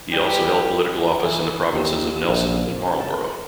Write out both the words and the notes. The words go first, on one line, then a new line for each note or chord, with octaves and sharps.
He also held political office in the provinces of Nelson and Marlborough.
E3 G3 G4
E3
D#2
A#1
C#4
A5